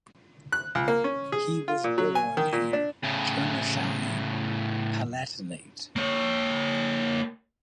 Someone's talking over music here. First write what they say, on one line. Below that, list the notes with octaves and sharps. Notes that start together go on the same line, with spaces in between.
He was born in Germersheim, Palatinate.
F#6
C#2
A#3
C#4
G#4
F4
A#2
F#3
G#5
D#3
A#2
D4
A2 C#3
A#3 C#5